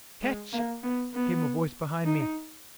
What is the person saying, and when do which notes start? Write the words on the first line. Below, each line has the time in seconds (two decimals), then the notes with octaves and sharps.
"Catch!" came a voice behind me.
0.22 G#3
0.53 A#3
0.83 B3
1.13 B3
2.05 D#4